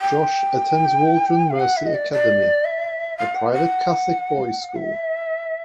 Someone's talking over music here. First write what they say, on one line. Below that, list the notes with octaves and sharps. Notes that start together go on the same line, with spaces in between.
Josh attends Waldron Mercy Academy, a private Catholic boys' school.
G5
F5
F#5
E5
D#5
D5
D5
E5
F5
F#5
F#5
E5